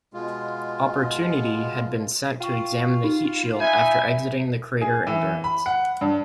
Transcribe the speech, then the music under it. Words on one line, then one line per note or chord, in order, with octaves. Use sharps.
"Opportunity" had been sent to examine the heat shield after exiting the crater Endurance.
B2 G#3 F4
F4 G5 C#6
D#4
D#4 E5 G#5 B5 G6
G#4
E3
B5
F#5
G2